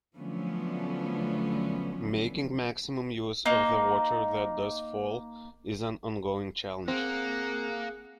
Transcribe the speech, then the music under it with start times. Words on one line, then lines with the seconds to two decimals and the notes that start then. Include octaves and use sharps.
Making maximum use of the water that does fall is an ongoing challenge.
0.16 D3 F3 F#3 A3 B3 C#4
3.45 A#3 D#4
6.88 A#3 C4 G#4 F#5